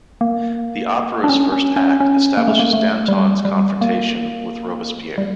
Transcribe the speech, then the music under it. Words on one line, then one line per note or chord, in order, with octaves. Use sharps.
The opera's first act establishes Danton's confrontation with Robespierre.
A#3
D4
C#4
C#4
C#4
C#4
A#3
A3
A#3
A3
G3
G3
A#3
G3